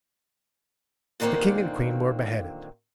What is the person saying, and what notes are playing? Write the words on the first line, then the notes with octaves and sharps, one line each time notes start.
The king and queen were beheaded.
A#2 D3 D#3 A3 A#3 C4